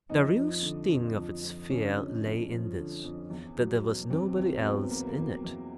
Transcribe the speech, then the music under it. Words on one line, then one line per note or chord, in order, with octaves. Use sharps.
The real sting of its fear lay in this--that there was nobody else in it.
F2 D#4
F3
D3
F2
F2
F3
D3 C#4
F2
F2
F3
D3
F2
E2
F#3
B2
E2 C4
E2 C4
C4
F#3 B3
B2 A#3
B3
A#3
E2
E2